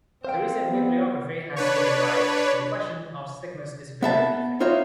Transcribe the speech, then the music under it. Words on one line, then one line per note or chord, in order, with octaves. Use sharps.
The recent bibliography has given rise to the question of stigmas is very leafy.
C4 C5 F5 G5
B3
D4 B4 C#5
B3 E5 A5
D#4 F4 F#4 C#5 E5